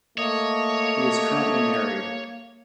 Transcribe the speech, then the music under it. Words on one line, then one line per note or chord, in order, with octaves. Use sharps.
He is currently married.
A3 A#3 C#5 D#5